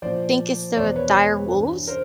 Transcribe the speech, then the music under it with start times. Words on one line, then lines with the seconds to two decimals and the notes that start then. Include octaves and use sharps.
think it's the dire wolves?
0.02 A#2 F3 C5 D5
0.76 E2 B2 C5 D5
0.96 B4 C#5
1.50 G2 E3
1.87 A#4 C5